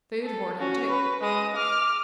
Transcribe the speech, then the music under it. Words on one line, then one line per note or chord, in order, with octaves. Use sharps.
Food hoarding, too.
A4
C#4 F#4
B4
G#3 D#6
D6 F6